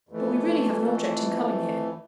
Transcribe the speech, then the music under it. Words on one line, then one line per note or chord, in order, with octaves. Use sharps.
But we really have an object in coming here.
F2 E3 A3